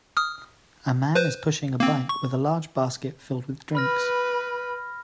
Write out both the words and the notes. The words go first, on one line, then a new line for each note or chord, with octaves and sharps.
A man is pushing a bike with a large basket filled with drinks.
D#6 F6
B4 C5
A#3 C4
C#6
B4 B5 F6 A#6